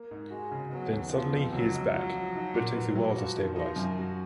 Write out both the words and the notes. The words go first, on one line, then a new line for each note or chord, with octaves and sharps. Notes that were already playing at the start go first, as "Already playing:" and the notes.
Then suddenly he is back, but takes a while to stabilise.
Already playing: A#3
G#2
G#3 F#4
C#3
F#3 B3
D#2
F3 B3
F2
C#2 F#3
C#2
F#3 F4
F3
D#4
A#2
B4
F#3
F3 F#4
D#3
F3 D#4
F#2
F#4